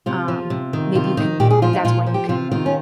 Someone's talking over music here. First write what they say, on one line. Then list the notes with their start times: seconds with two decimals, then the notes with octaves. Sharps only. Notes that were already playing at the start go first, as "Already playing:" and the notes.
Um, maybe you can that's when you can
0.06 C3 F4
0.28 F3
0.50 C3
0.73 D#3
0.95 C3 F4
1.17 D#3 D#4
1.40 A#2 G4
1.50 G#4
1.62 F3 F4
1.73 D#4
1.84 A#2 F4
2.07 F3
2.14 G4
2.29 C3 F4
2.51 D#3 F4
2.66 C#4